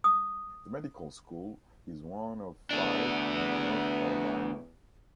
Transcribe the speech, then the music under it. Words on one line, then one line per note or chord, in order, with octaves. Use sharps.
The medical school is one of five in North Carolina.
D#6
E2 A3 B3 D4